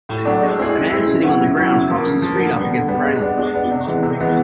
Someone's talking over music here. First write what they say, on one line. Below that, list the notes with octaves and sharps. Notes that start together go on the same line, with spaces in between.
A man sitting on the ground props his feet up against the railing.
A2
F#3 A3 D4
G#3
C4 E4 G#4
G#3
C4 E4 G#4
C#3
F#3 B3 E4
C#3
F#3 B3 E4
C#3
F3 A#3
C#3
F3 A#3
D3
G3 B3
D3
G3 B3
G#3
B3 D4
G#3
B3 D4
C3
E3 G#3 B3
C3
E3 G#3 B3